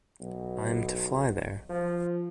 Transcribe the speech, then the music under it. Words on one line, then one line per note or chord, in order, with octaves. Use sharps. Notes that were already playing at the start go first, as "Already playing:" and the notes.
I'm to fly there.
B1
F3